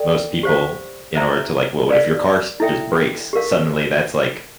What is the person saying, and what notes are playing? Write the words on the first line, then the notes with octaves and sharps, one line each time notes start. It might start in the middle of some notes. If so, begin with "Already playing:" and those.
Most people, in order to, like Well, what if your car s just breaks? Suddenly, that's, like
Already playing: A4 D5 G5
G4 C5 F5
C5 E5 A#5
A#4 D5 F5
E4 A4 E5 G5
G4 A#4 F5